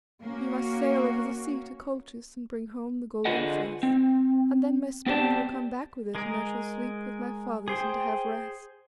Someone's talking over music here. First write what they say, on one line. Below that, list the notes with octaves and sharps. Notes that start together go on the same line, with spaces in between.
'You must sail over the sea to Colchis, and bring home the golden fleece; and then my spirit will come back with it, and I shall sleep with my fathers and have rest.'
A#3 C#4 F#4
D3 F4 G#4 B4 D#5 F#5
C4
B3 C4 G4 D5 A5
G#3 G#4 A#4
G#4 C5 G5